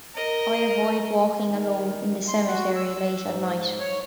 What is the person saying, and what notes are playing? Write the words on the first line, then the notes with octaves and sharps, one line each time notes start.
I avoid walking alone in the cemetary late at night.
A#4 D#5
D#3
C6
F#4
E6
G#2
C#5